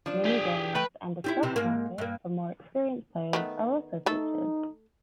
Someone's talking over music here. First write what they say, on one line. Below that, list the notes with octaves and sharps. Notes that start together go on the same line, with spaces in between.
Minigames and a stock market for more experienced players are also featured.
F3 D4
G4 G#4
A3 B4 G5
G3 D#4 E4
C3 E3
G#2 A#3
G2 A#3
D#3 A3 B3
A3 D#4 A4